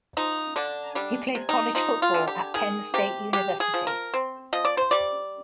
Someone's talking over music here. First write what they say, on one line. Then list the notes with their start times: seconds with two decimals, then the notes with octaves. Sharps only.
He played college football at Penn State University.
0.17 F3 D#4
0.56 D3 D4
0.95 G3 D4
1.35 C3
1.49 D#4
1.75 F3 D#4
2.02 F4
2.14 D3
2.27 G4
2.54 D#3 G#4
2.94 C3 G4
3.33 G#3 G4
3.60 G#4
3.74 F3
3.87 A#4
4.14 C4
4.53 F3 D#5
4.65 D5
4.77 C5
4.91 G3 D5